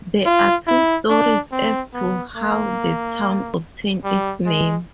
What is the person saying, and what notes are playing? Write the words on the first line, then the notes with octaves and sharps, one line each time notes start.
There are two stories as to how the town obtained its name.
F4
E4
D4
C4
B3
A#3
G3
G#3